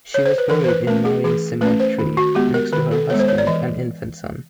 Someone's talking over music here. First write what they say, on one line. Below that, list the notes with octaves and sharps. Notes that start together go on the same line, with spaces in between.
She was buried in Marion Cemetery, next to her husband and infant son.
C#5
C5
B4
E3 A#4
C5
B4
A3 C#4 A#4
G#4
E3 G#4
A3 C#4 B4
C5
D#3
F#4
G#3 B3 G4
A#4
D#3 B4
A4
G#3 B3 C#5
C5
C#5
D5
E3 D#5